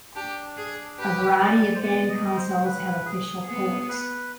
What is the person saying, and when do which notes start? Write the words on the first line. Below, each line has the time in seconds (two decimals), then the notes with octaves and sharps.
A variety of game consoles have official ports.
0.15 D4 G4
0.57 G#4
0.98 G4 B4
1.40 D5
1.75 C5
1.81 B3 D5
2.09 D#5
2.23 G#3
2.36 C5
2.64 B4
3.05 G#4
3.47 B3 G#4
3.89 B4